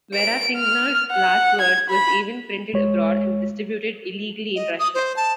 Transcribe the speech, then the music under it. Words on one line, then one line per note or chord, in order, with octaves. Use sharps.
Vera Figner's last word was even printed abroad and distributed illegally in Russia.
D7
F6
F#5
G#6
B5
C2 G#3 C#5
D#5
D#6
C5
A5